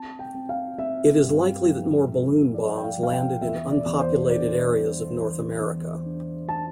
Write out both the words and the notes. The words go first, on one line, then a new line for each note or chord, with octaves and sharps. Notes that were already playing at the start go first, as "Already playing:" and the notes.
It is likely that more balloon bombs landed in unpopulated areas of North America.
Already playing: C4 A5
G5
C4
F5
C4 E5
G2
F3
C4
F3 D5
G5
F5
F3
F5
G5
E2 E5
D5
E2
C5
D4 D5
G3
E3
E2
D4
D4 A5